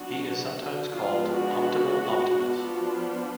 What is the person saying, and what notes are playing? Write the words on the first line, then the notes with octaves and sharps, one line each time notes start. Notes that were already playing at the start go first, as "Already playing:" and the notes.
He is sometimes called Optimal Optimus.
Already playing: F#3 B3 D4 F#4
F3 G#3 B3 D4 F4
F#4
F3 B3 D4